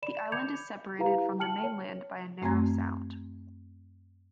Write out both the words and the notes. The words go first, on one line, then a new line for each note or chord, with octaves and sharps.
The island is separated from the mainland by a narrow sound.
D5 B5 E7
B5 D6 G6 G#6 C#7 F7
E4 G4 B4 F5 A#5
G5 A5 F6 C#7 F#7
C#5
F#2 A3 C4 G#5 A#5 G#6